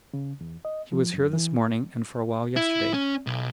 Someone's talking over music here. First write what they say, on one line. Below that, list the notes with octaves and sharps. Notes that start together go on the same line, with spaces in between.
"He was here this morning and for a while yesterday."
C#3
E2
D#5
F3
F#2
E3
E4
C#4
B1